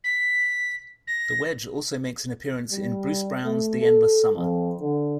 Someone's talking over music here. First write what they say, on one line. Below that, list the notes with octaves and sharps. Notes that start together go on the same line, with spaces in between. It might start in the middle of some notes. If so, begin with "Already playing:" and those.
The Wedge also makes an appearance in Bruce Brown's "The Endless Summer".
B6
A#6
G3
A3
A4
F2
D3